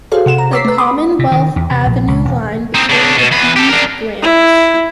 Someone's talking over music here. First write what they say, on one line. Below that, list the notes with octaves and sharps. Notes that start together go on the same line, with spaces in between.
The Commonwealth Avenue Line became the "B" Branch.
F#4 G#4 A4 C5 C#5 F5
C3 F#5 E7
A#5
C#5 A#5 D6 E6 B6 C7
A3 B4
B5 C6 D6 D#6
C3
D#3
E2
C3
A#1
C#2
E1
C4 D#4
C#3 D4
B2
E2 B4
G4 A4
D4 A#4
E4